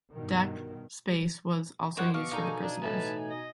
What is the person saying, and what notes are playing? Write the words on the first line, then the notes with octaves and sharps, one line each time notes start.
Deck space was also used for the prisoners.
G2 B2 D#3
F#2 D#3 C5 C#5 F#5 D6
B2 F5 C#6
B2 D#4 A4 A#4 D5 F5 G#5
D4
A2 E3 B4 A5
D#5